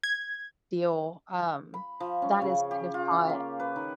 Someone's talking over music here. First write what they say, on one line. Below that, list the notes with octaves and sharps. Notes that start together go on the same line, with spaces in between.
deal, um, that is kind of taught.
G#6
B5
F3
C#4
C#3
G4
F4
C#4
A#3
B4
D#3